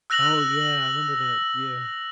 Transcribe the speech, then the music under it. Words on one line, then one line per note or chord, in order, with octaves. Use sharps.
Oh yeah, I remember that yeah.
E6 F#6 A#6 F7 F#7